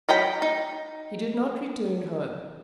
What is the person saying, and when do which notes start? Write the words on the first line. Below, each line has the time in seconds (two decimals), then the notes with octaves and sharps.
He did not return home.
0.09 F#3 D#5 G5 B5
0.42 D#4